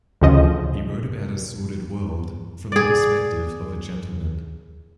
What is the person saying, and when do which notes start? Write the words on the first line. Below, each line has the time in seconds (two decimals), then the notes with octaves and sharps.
He wrote about a sordid world from the perspective of a gentleman.
0.21 D2 C#3 F3 D#5
2.72 G#4 D5